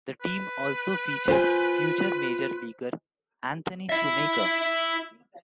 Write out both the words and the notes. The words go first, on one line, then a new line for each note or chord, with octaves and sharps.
The team also featured future major leaguer Anthony Shumaker.
B4
F4 C5 G#5
E4 E5